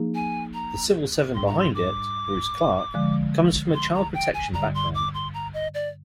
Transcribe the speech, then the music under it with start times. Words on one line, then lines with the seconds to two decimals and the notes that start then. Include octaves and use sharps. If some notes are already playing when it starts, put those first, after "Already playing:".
The civil servant behind it, Bruce Clark, comes from a child protection background.
Already playing: F3 A#3 D#4 G#4
0.15 G#5
0.54 A#5
1.34 G#2 G3 D4 C6
1.47 A#5
1.59 C6
1.75 D6
2.94 D3 F3 G#3
3.74 C6
3.94 A#5
4.14 G5
4.34 G#5
4.54 G2 D3 G3 A#5
4.75 C6
4.95 D6
5.14 C6
5.34 A#5
5.54 D#5
5.74 D5